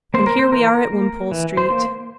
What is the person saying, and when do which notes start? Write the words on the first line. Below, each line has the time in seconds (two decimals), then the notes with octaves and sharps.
And here we are at Wimpole Street.
0.14 A#3 C5
0.26 A#4
0.39 C5
0.52 E3 A#4
0.92 A#3
1.31 E3
1.57 C5
1.71 A#3